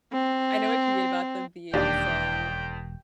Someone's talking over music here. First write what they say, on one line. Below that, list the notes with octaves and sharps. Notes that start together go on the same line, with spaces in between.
I know what you mean about them being so
C4
E1 D#2 D4 G4 D5 G5